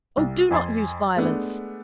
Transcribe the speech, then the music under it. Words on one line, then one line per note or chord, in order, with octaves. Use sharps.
'Oh, do not use violence!
C2
F2 G#5 C6 A6
G#3 A3 B3 D4